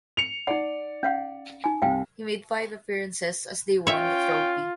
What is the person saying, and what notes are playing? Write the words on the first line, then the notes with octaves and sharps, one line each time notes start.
He made five appearances as they won the trophy.
C#7 F7
D#4 D5 F#5
C#4 F5 F#5
D#4 G#5
C2 F5 G5
C#4 F4 C#5 E5 G5